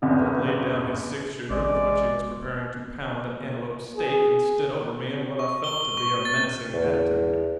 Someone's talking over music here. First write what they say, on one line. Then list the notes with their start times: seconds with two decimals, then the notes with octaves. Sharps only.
Jud laid down his six-shooter, with which he was preparing to pound an antelope steak, and stood over me in what I felt to be a menacing attitude.
0.02 G1 E2 C#3
1.50 A1 G#3 D5
3.96 G#4
5.39 C#6
5.64 G7
5.97 C#6
6.25 A6
6.73 E2